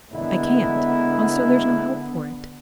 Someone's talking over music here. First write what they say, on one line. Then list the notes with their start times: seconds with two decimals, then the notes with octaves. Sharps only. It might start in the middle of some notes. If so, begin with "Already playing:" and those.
"I can't! and so there's no help for it."
0.12 D3 G#3 A#3 B3 E4